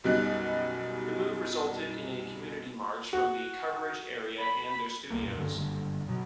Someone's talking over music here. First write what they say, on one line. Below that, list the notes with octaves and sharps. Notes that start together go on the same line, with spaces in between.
The move resulted in a community march from the coverage area and their studios.
B1 F#2 B2 G3 D#4 F#6
F#4
B5
C2 A3 A#3
F#2 A#2
G2 D3 F3 A3
F#1 G2 B2 D3
B2 F#3